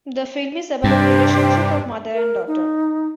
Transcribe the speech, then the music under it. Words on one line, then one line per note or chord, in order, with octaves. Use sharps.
The film is about relationship of mother and daughter.
G2 C3 G3 D4 G4 C5
A#4
D#4